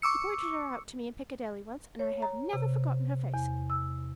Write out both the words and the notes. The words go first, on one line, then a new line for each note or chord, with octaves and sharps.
"He pointed her out to me in Piccadilly once and I have never forgotten her face."
C#6 D6 E6 C#7
C#5
A#5
C3
E2
E6